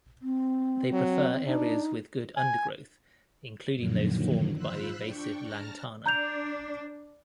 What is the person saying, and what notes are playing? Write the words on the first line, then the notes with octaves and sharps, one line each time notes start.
They prefer areas with good undergrowth including those formed by the invasive "Lantana".
C4
F#3
D4 D#4
G#5
F#2 A#2 D3 D#3 F3 F#3
F4 C5 B5 E6 F#6
D4 G5 C#6
A5 A#5 F6 A#6
D4 A#5 G6 F7